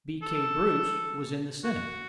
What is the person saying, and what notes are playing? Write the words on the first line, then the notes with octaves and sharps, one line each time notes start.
B.K. Bruce, was in the Senate.
A4
F#4